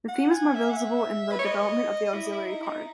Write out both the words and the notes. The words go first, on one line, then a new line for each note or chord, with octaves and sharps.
This theme is more visible in the development of the auxiliary part.
F#5
G#5
E5
F#5
E5
B4
C#5
D#5
E4
E4
D#4
E4
D#4